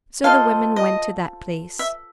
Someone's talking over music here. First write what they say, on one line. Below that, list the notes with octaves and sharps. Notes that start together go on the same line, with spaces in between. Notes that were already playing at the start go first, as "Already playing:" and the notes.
So the women went to that place.
F4 A4 C5 D#5 F5
D#5
E5